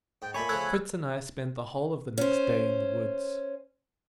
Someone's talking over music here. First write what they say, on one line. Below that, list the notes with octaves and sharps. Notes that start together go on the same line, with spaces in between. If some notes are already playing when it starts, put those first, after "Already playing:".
FRITZ and I spent the whole of the next day in the woods.
G#2 G5
A#2 A3 C#5 G#5 B5 D6
C#3 F3 A3 E6 F#6 G#6
C#4 C5